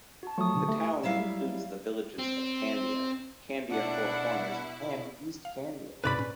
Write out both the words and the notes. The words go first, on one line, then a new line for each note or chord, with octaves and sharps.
The town includes the villages of Candia, Candia Four Corners and East Candia.
F#4 A5
F3 F#3 A3 C#6 D#6
B2 D3
A3 G4
F#3 G3 E4 F5
C4
B2 D4 E4 F#5
F5
G#2 C3 C4 B4 D5 B5
A#2 C#4